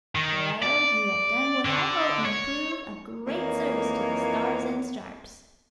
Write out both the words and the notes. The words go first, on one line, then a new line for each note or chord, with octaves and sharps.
Well, you have done what I hope may prove a great service to the Stars and Stripes.
D#3
D5
D3
C#5
F2 E3 A#3 D#4 F4 C#5